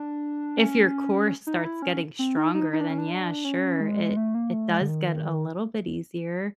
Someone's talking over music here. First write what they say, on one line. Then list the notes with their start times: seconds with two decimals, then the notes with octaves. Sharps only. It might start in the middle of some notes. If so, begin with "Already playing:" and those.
if your core starts getting stronger, then, yeah, sure, it it does get a little bit easier.
Already playing: D4
0.58 C#4
1.47 D#4
1.65 E4
1.82 C#4
2.19 C4
2.37 D#4
2.54 D#4
2.73 D#4
2.81 D4
2.90 C#4
2.98 D4
3.45 C#4
3.81 G#3
4.17 A3
4.35 A#3
4.53 A3
4.70 G#3
4.81 D3
4.88 D#3